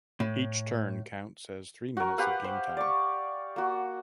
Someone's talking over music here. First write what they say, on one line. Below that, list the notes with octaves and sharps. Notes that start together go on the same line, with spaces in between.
Each turn counts as three minutes of game time.
A2
F#4 A#4
G4 B4 F5 F#5
C5
D5 C#6
A#3 F#4